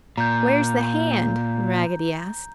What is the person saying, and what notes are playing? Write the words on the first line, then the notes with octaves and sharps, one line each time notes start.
"Where's the hand?" Raggedy asked.
A#2 A#5 G6